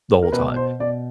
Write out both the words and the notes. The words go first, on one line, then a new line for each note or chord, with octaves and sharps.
the whole time.
A#4
B2 B4
C5
B2 D5